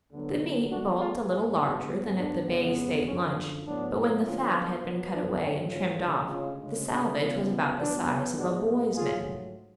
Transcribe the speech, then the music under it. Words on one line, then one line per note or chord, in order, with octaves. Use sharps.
The meat bulked a little larger than at the Bay State Lunch, but when the fat had been cut away and trimmed off the salvage was about the size of a boy's mitten.
D2 D3 F#3 B3
B2 A3 D4 F#4
F4 G#4
G#2 G#3 B3 F4 G#4
D4 F#4
G#2 F#3 B3
D4
F2 C#3 G#3 B3
F#2 D3 F3 C#4
A2 F#3 B3 D4
D2 D3 F3 B3 C#4 F4
B2 F#3 B3
D4
G#2 F#3 A3 C#4
C#4 F4
D2 C#3 G#3
C#4 F4
D2 C#3 G#3
D4
C#2 C#3 F3 G#3 B3
C#4
C#2 B2 F#3 B3 D4
A2 G#3 B3 D4 F#4
G#2 F#3 A3 F4 G#4